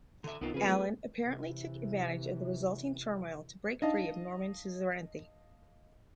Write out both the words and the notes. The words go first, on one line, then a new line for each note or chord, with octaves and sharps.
Alan apparently took advantage of the resulting turmoil to break free of Norman suzerainty.
D3 E5
C2 D#3 B3 C4 F4
F2 C#3 G#4 B4
G3 A3
C3 E3
D4 D#4 D#5 F5 A5